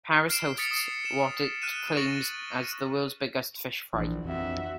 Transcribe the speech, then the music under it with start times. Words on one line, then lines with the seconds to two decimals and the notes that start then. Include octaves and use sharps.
Paris hosts what it claims as the "World's Biggest Fish Fry".
0.29 F6 C7 D7 E7
0.58 D#6 A6 B6 C#7
0.71 D#6
1.05 E7
1.62 F6 F#6 D#7 E7
1.97 C#6 A6 A#6 F#7
3.93 A#1 E3 D4
4.25 F2 F#4 E5